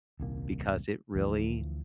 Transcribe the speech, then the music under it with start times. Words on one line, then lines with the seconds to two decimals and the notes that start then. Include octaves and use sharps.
"because it really"
0.20 D#1 C2 A#3
1.15 D2 E3 F3